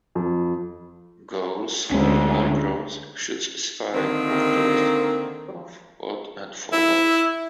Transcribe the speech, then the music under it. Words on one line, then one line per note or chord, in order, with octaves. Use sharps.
Goals for more growth should specify more growth of what and for what.
F2
D2 D3 G#3 C#4
D3 D#3 A#3 C4
E4